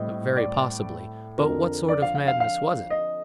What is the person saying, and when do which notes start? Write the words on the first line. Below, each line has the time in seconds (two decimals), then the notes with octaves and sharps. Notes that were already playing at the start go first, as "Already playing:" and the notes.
"Very possibly; but what sort of madness was it?"
Already playing: A2 G3 C4 D#5
0.37 D5
1.38 F2 D3 F3 A#4
1.89 D5
2.02 F5
2.15 F5
2.28 F5
2.40 F5
2.90 D#5